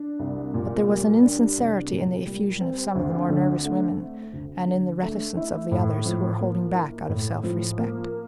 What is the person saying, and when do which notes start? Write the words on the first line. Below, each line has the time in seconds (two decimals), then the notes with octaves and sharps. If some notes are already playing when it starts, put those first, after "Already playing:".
But there was an insincerity in the effusion of some of the more nervous women, and in the reticence of the others, who were holding back out of self-respect.
Already playing: D4
0.19 C2
0.54 A#2
0.89 G3
1.23 D4
1.57 C2
1.92 A#2
2.26 G3
2.60 C4
2.95 D2
3.30 D3
3.65 A3
3.99 C4
4.33 D2
4.67 D3
5.03 A3
5.37 E4
5.71 A2
6.06 F3
6.41 A#3
6.75 E4
7.09 A2
7.43 F3
7.78 A#3